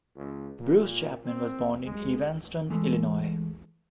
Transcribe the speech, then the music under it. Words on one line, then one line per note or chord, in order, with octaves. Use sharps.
Bruce Chapman was born in Evanston, Illinois.
C#2
A#2
C4
G#3
E3 G#3 A3